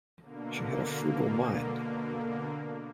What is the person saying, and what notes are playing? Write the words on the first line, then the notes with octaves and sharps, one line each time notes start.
She had a frugal mind.
B2 D3 A#3